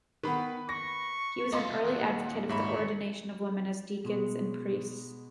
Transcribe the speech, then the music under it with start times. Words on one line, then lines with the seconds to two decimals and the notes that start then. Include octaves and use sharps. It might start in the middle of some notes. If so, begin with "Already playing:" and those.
He was an early advocate of the ordination of women as deacons and priests.
0.23 D#3 B3 B4 B5
0.69 C#6 A#6
1.52 A3 F4 D#5 C6
1.85 D#2 A#2 F#5
2.49 G#2 C#5 E5 B5
4.04 B2 G#3